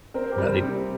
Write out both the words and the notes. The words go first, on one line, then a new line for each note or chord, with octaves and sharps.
e now they
C4 A#4
C5
G4 A#4
G3
C3